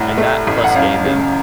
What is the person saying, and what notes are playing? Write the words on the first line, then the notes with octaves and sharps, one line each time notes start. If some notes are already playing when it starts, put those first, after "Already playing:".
and that plus gaming.
Already playing: C2 A2 F#5
A3
A1
F#5
F#2 F5
C#3